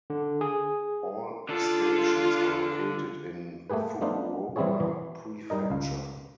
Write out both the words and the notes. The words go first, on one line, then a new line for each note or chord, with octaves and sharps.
All stations are located in Fukuoka Prefecture.
D3
G#4
D3 F4 A4
A3 A#3 G4 G#4 B4
F3 A3 B3 D4 D#4 F4
E3 G3 C4 E4 G#4 C#5
E3
G3 D#4 A#4 D#5
C#2 F5